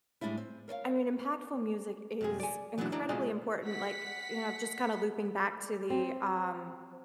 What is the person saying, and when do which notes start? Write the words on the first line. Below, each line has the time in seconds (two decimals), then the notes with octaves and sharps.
I mean, impactful music is incredibly important, like, you know, just kinda looping back to the, um,
0.21 A2 G3 G#3 D4 E4
0.38 C4
0.68 A#4 C#5 D#5 F5
2.21 F#2 C3 G#4
2.40 D5 G#5
2.78 E3 F#3 B3 C#4 D4 E4
2.92 D4 E4 D5 A#5
3.09 B2 G#3 F4 G#4 E5 G#5
3.66 F#5 B6
5.90 C4